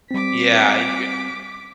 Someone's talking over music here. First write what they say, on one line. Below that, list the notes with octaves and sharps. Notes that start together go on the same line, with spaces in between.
Yeah, you can get
G3 C4 D6 B6